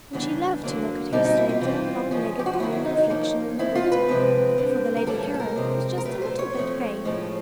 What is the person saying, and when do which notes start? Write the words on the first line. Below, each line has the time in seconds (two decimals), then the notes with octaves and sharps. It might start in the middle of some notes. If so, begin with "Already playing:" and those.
And she loved to look at her slender, long-legged blue reflection in the water; for the lady Heron was just a little bit vain.
0.13 C#3 E3 G3 B3 D4
0.63 D3 F#3 A#3
1.12 B2 G3 C4 D#4
1.25 D#4
1.38 E4
1.49 F4
1.61 E3 G3 C4
2.11 F3 G#3 C#4
2.39 G4
2.46 F#4
2.53 F4
2.60 D#3 F#3 A3 C4 E4
2.72 E4
2.85 D#4
2.97 D#4
3.10 F3 A#3 C#4
3.59 E3 G#3 C4 E4
3.75 F4
3.92 B4
4.08 C3 F3 G#3 C4
4.58 D3 G3 C4
4.97 A#4
5.07 A2 E3 G3 A#3 C#4 A4
5.23 A4
5.34 A4
5.40 A#4
5.56 C3 F3 G#3 C4
5.98 A#4
6.05 A#2 F#3 A3 B4
6.22 C5
6.39 C#5
6.55 F3 A3 C4
7.04 A2 F3 G#3